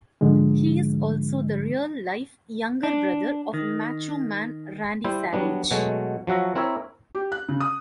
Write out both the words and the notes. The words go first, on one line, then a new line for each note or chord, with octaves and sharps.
He is also the real-life younger brother of "Macho Man" Randy Savage.
G#2 D3 F3 G#3
D4
D#3
G3 E4 C5
F#3 G3 B3 D4
B2 F#3 G#3 A3
F3 F#3 F#4 E5 A#5
C4 E4 A#4 C#5 E5
G4
F#6
C#3
D#6